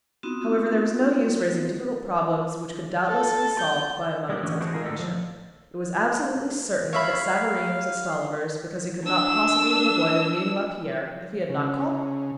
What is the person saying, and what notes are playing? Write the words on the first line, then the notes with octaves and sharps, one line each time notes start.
However, there was no use raising difficult problems, which could doubt less be solved by a moment's explanation. It was absolutely certain that Savareen was at Stolliver's because he could not possibly have avoided meeting Lapierre if he had not called there.
B3 C4 D#4 F4 F#4
A4
G6
G3 G#3 A#3 D4 G4
A2 E3 G#3 C#4 D4 F#4
E3 G#3 C4 D4 D#4 F#4
G#3 F4 G#4 A#4
A2 C#4 A4
F3
C#5 E5 F5 B5
D4 E6
C#3